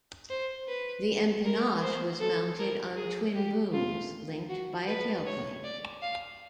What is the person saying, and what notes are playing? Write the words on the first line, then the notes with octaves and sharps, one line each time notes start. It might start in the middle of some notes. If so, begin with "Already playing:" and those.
The empennage was mounted on twin booms linked by a tailplane.
C5
B4
A#4
C5
A4
A#4
G#4
G4
F4
F#4
B4
C#5
D5
F5